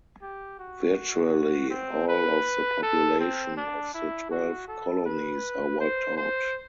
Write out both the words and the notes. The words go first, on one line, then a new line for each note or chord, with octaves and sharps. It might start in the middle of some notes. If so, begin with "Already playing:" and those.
Virtually all of the population of the Twelve Colonies are wiped out.
G4
F#4
C4
B4
A4
C4
D4
E4
F#4
A4
B4
C5
C5